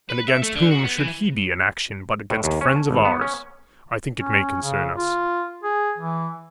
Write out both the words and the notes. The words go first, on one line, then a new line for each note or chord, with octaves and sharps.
And against whom should he be in action but against friends of ours I think it may concern us.
B4
E5
A3
D3
F#4
B3
E3
A2
D#2
C#4
A5
G#1
B3
C#4
C#4
C#3
F4
G#4
E3